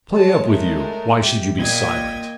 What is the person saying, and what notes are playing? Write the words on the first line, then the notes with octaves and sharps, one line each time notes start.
'Play up with you, why should you be silent?
G#3 C#5 A5
A3 A#4
G4 E5
A#2 D#5 G5 G#6